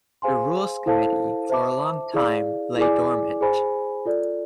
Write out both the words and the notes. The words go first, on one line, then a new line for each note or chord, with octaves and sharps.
The Rules Committee, for a long time, lay dormant.
G#4 C5 F5 G#5 C6
E4 A4 C5 F5 A5
C5 E5 A5 D6
E4 G#4 D5 F5
E4 G#4 D5 G#5 D6
G#4 C5 G#5 B5
F4 A4 D5